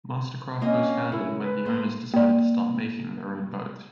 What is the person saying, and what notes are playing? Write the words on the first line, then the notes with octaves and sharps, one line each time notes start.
MasterCraft was founded when the owners decided to start making their own boats.
A#3 C4 C#4 D#5
C#3 E4 A#4
B4
A#3 C5
A#3 D5